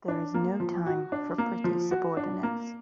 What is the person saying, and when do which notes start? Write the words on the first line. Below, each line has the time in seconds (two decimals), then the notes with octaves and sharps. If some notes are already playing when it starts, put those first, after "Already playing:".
There is no time for pretty subordinates.
0.08 D4
0.34 A#3
0.60 F3
0.86 F#4
1.12 D4
1.38 A#3
1.64 F3
1.91 F#4
2.17 D4
2.43 A#3